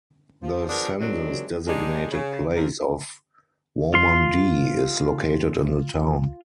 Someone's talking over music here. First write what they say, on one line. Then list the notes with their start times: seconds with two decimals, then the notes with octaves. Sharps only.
The census-designated place of Waumandee is located in the town.
0.42 F3
0.69 F3 B3 D4 G#4 A#4
0.99 F#2 C3 D#3 F#3 G#3 D4
1.67 G#3 D4 D#4 G4 G#4
2.11 C#3
2.55 A#2 A#3 C4 D4 G#4 A#4
3.94 F4 C6